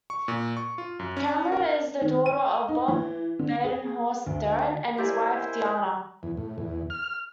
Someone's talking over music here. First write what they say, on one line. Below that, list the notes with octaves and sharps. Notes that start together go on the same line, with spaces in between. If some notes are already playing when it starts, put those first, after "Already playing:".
Camerer is the daughter of Bob Badenhorst Durrant and his wife, Diana.
C#6
A#2
C#6
F4
F#2
C#4
A#4
D#3
D#7
D#4
E3
D3
G#4
D2
E4 G4 A#4 C5 D5 D#5 G#5
E2
A2
E2
F6